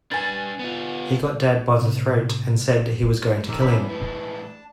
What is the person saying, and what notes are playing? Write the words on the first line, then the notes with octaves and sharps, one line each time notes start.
He got dad by the throat and said he was going to kill him.
D4 B4 G#5 A6
B3 F4
A2 C3
D#3 A4 A#4 D5
E2 C#4 B5
A2 E3 G#3 D4 A5